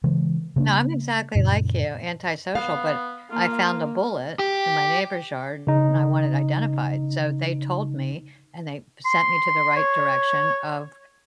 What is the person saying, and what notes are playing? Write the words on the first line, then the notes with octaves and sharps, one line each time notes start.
No, I'm exactly like you, antisocial, but I found a bullet in my neighbor's yard, and I want it identified, so they told me, and they sent me to the right direction of,
C#3 E3 G#3
C#3 A#3 D4
F#2 A#2 C#3
B3 F5
A#3 F4
G4
C#3 D#4
C6
C#5